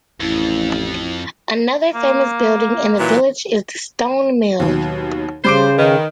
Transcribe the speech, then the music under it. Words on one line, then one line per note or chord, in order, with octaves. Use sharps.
Another famous building in the village is the 'Stone Mill'.
A1 F2 E4
A#3
A#2 E3 F#3
D#2 B2 F#3
C#3 G3 C5 D6 D7
D#3 B4